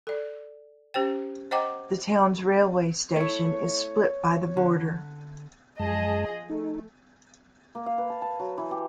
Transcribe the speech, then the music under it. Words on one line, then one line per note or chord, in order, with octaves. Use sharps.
The town's railway station is split by the border.
A4 D5
C#4 G4 C5 G5
C5 D#5 F#5 G5 A#5 D6
A3 E4 C#5
D3
F#2 F3 G#3 G#4 D#5 A5
A3 D#4
A#3
F5
B4
A5
A5
F#3
E3
G4